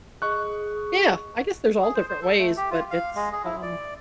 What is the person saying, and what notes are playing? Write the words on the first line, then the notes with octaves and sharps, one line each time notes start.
yeah, I guess there's all different ways, but it's, um,
G#4 D#5 C#6 F#6
G#4
C5
C5
A4
A3
G4
F4
F5
G#3
G#4
E4
D5